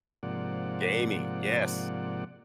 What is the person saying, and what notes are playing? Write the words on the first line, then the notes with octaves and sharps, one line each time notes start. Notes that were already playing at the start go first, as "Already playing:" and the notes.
Gaming. Yes.
G#2 C3 F3 A#3 D5 F#5